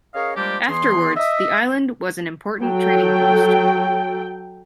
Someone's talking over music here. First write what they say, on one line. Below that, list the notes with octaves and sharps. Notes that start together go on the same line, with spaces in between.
Afterwards, the island was an important trading post.
C#4 G#4 A#4 C#5 D#5 F5
F3 G3 G#3 A#3 D4 G4
E2 E3 B3 G#4 C6
D#5 E5
F#3 A4 G5